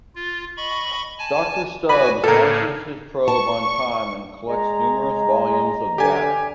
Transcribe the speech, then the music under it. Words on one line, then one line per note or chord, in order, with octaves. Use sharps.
Doctor Stubbs launches his probe on time and collects numerous volumes of data.
F4
D#5 B5 C#6
G#5 A5
F#4 B4 G#5 B5
A2 C#3 A#3 A4 A#4
A5 C#6
G#3 A#5
D3 G4 G#5